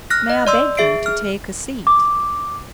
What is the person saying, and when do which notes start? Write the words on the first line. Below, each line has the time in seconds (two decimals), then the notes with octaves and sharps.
May I beg you to take a seat?'
0.10 F6 F#6 A#6
0.30 D#5
0.47 D5 C6 E6
0.77 G#4 E5 C7 D7
1.06 F6
1.87 D6